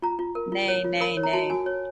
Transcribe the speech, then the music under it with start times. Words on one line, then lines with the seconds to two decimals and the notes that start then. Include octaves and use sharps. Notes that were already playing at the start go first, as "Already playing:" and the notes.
Ne, ne, ne.
0.02 F4 A#5
0.19 F4
0.35 A#4
0.52 F4
0.68 C#5
0.84 F4
1.00 A#4 B5
1.17 C#5
1.23 A#5
1.33 F#4 A5
1.50 F#4 G#5
1.66 C#5